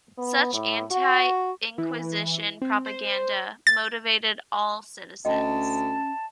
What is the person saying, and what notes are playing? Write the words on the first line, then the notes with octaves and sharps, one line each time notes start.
Such anti-inquisition propaganda motivated "all" citizens.
B3
A2
F#4
E3
C4
C5
A6
D2 C#4 D#5 G5 A5